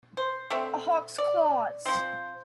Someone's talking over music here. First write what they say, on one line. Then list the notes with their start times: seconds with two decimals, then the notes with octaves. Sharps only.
A hawk's claws.
0.17 C5
0.50 D3 A3 C4
1.18 D5
1.85 F3 C4 C5